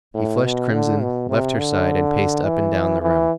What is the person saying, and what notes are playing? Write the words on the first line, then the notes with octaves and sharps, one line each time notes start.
He flushed crimson, left her side, and paced up and down the room.
A2
B2
D3
B2
C3
D3
E3
E3